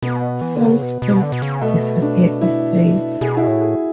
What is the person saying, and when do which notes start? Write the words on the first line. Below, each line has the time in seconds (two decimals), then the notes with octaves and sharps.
Some spells will disappear after use.
0.03 B2 B3
0.41 E3
0.55 D3
0.69 C#3
0.82 B2
1.02 B2
1.22 D3
1.32 B2
1.42 C#3
1.61 B2 A3
2.02 D4
2.41 E4
3.21 B2 G#4
3.37 E4
3.41 F#4
3.47 A2
3.61 G#4